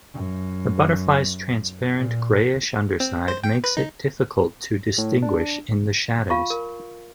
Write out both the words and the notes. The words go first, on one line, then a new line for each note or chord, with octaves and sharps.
The butterflies transparent greyish underside makes it difficult to distinguish in the shadows.
F#2
A#2
C4
C5
G5
B4
D#4
A2
D4
F4 F5 A5 C#6
A#4